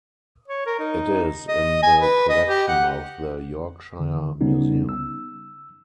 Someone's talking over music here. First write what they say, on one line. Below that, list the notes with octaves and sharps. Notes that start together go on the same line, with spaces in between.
It is in the collection of the Yorkshire Museum.
C#5
A#4
D#4
D#5
G#5
B4
D#5
G4
F#5
D3
C#3 G3 B3 C#4 D#4
E6